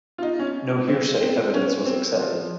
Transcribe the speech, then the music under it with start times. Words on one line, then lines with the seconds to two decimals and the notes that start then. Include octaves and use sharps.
No hearsay evidence was accepted.
0.18 F4
0.22 D#4
0.39 C#4
0.87 C4
1.21 C4
1.54 C#4
1.86 C4
2.19 F3